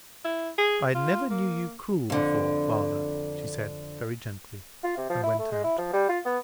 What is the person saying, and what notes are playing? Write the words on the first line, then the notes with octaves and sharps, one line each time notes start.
"I never knew you cruel before, father," she said, very gently, and went out.
E4
G#4
F4
A#3
F2 D3
F4
C3
F3
E4
A3
G#3
E4
F3
G3
F4
B3